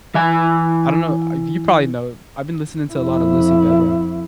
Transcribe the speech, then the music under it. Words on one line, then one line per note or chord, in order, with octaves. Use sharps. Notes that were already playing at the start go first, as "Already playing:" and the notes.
I don't know, uh, if you probably know I've been listening to a lot of Lucy Bedroque.
E3 E5 G#5
F2 E4